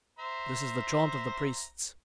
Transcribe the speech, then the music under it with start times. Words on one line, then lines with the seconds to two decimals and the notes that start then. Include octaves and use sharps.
This is the chaunt of the Priests.
0.19 C5 E5 A#5